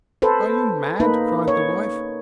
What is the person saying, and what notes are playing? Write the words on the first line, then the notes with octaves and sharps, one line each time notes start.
'Are you mad?' cried the wife.
A4 B4 C5
A#3 D#4 B4
C#5